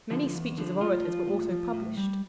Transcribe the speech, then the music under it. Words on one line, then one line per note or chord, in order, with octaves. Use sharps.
Many speeches of orators were also published.
D3 F3
E2
D3 F3
A2 F4
F3
A2
F3
A2
G3